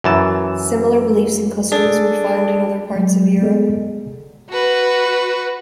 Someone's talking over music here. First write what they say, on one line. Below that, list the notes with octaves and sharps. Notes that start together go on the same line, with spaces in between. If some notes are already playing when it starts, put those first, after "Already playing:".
Similar beliefs and customs were found in other parts of Europe.
F#2 E3 A5 A#5 E6
D4 G#4 A4
F#3 G#3
G#3 B3 G#4 A4 D#5
F#4 B4